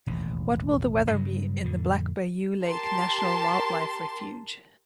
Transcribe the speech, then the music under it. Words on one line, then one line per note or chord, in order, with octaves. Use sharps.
What will the weather be in the Black Bayou Lake National Wildlife Refuge?
E1 A1 D#2
G2 C#3 F#3
F2 A2 D3
G4 A#4 A5 C6